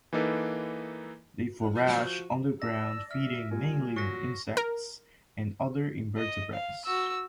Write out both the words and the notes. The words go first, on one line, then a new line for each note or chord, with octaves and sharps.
They forage on the ground feeding mainly on insects and other invertebrates.
E3 A#3 D#4 A4 B4
F3 F#4 G6
D5 A5 E6 A#6
E5 F6
A#2 G3 G#5
F#3 C#6 A#6
A#4
D#5
F5
F#4 E6